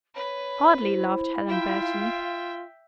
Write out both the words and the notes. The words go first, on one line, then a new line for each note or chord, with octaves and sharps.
"Hardly," laughed Helen Burton.
B4 C#5
E4 C5
F4 E5 F5 G5